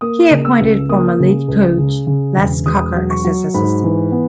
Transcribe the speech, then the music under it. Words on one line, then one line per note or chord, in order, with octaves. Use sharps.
He appointed former Leeds coach Les Cocker as his assistant.
A#3 D#6
C#3
E6
C#2
A#3 D#6
C#3
C#2
C#3
C#3
E1
E1 D#6
F#3
C#6
F#3
G#2 B5
E3
B3